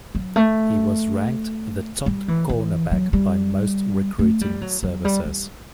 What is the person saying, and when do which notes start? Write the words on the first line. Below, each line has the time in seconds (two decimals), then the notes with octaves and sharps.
He was ranked the top cornerback by most recruiting services.
0.15 F#3
0.36 A3
2.06 G3
2.28 E3
2.49 E3
2.92 F#3
3.13 G3
4.19 A3
4.41 G3
4.61 F#3
4.83 F#3
5.05 G3
5.25 G3